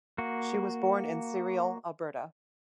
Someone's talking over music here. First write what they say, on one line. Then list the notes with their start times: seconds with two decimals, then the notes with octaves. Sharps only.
She was born in Cereal, Alberta.
0.18 A#3 F#4